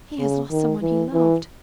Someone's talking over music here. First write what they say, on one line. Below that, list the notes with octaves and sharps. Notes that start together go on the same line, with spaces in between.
'He has lost someone he loved.
C#3
D#3
E3
E3